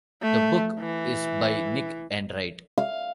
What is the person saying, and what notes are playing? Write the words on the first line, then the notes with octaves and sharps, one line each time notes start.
The book is by Nick Enright.
A3
E3
F5